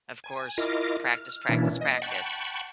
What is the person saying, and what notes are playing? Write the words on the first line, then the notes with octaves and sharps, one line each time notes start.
of course, practice, practice, practice.
G#5
E4 F4 A#4 D#5 D6
F6
B2 E3 A#3 C#4 D4 E4
D#5
F#5 G5 A5 B5 C#6